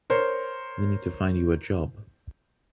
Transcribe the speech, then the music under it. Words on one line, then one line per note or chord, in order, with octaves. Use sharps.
We need to find you a job.
A#4 C5 C#5